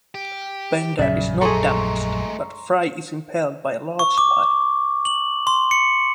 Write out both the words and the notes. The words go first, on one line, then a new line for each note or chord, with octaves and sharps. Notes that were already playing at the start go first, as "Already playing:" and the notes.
Bender is not damaged, but Fry is impaled by a large pipe.
G4
A#1 F#2 C#3 F#3 D5 E5
G#3 A3 G#4 A4 A#5 C6 C#6
C#6
D6
F#7
C6
C#7